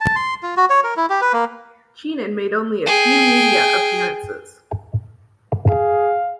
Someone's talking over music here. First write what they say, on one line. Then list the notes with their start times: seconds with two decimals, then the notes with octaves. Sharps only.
Chinen made only a few media appearances.
0.01 A5
0.16 C6
0.43 F4
0.57 F#4
0.70 C#5
0.84 A#4
0.97 E4
1.10 G4
1.21 B4
1.33 A#3
2.86 G#4 G5
5.69 G#4 F5